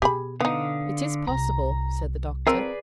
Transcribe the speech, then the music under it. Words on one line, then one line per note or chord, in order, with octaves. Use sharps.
"It is possible," said the doctor.
B2 G4 G#4 B5
D3 B3 D#4 F5 D#6
C2 A#5
F3 C4 G#4 A#4 B4 D5